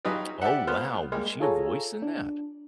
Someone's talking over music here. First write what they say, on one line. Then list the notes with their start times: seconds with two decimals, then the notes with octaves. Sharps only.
Oh, wow! Was she a voice in that?
0.05 F#3 D#4 F4 G4 G#4 B4
0.42 G4 D5 E5 F#5
0.67 A3 B3 F4 C5 F6 F#6
1.12 G3 G#3 A#3
1.40 F4 G#4 A4 C#5 G#5 A#5
2.02 D4